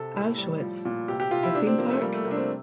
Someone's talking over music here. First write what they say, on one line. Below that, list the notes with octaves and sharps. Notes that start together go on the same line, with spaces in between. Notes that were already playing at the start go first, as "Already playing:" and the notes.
Auschwitz: The Theme Park?
Already playing: C3 A4
A2
G3
F3
A#2
C3 G4
G4
C3 F4
E4
C3 D4
C4
F3 A#3
A3
G3 A#3
A3
C3 A#3
D4
C4